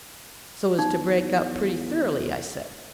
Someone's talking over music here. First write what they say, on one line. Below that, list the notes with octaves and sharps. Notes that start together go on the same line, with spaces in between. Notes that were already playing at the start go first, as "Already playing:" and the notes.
"So as to break up pretty thoroughly?" I said.
E2 D#4